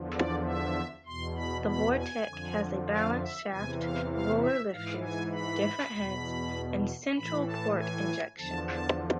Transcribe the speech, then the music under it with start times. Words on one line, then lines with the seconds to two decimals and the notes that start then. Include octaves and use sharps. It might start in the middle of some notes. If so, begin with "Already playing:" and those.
The Vortec has a balance shaft, roller lifters, different heads, and Central Port Injection.
Already playing: E2 D3 F3
0.14 D5
0.45 E5
1.06 E2 B2 C6
1.36 B5
1.67 B5
1.97 G#5
2.28 F2 D3 F3
2.89 F5
3.20 E5
3.50 E2 C3 E3 G#5
3.80 F5
4.11 F5
4.41 E5
4.72 G#2 E3 F5
5.02 G#5
5.33 B5
5.94 E2 B2
7.16 A2 E3 B5
7.46 A5
7.77 G#5
8.38 E2 D3 F3 A5
8.69 A5